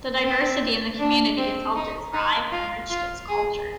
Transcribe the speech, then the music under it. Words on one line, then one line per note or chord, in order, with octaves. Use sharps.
The diversity in the community has helped it thrive and enriched its culture.
C4
D4
C4
D#4
D#4
F4
F4
G#4